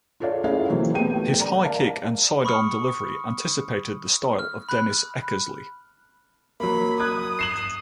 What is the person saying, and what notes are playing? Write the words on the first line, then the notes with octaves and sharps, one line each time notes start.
His high kick and sidearm delivery anticipated the style of Dennis Eckersley.
F4 G#4 A4 C#5 D5 F5
C#4 E4 F4 G#4 E5 F5
C3 E3 F#3 A#3 C4 C#4
A3 B3 G4 C5 G5 D#7
D5 A#5
A#4 D5 F5 A5
B5 C#6 D#6 F6 C#7
F6
B5 F#6
F#3 A#3 B5
D#6 F#6 G#6
C7 E7 F#7